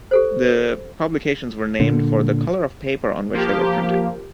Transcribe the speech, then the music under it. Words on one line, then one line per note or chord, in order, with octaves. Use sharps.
The publications were named for the color of paper on which they were printed.
G4 A4 C5
A#2 D3
F3 A#3 G4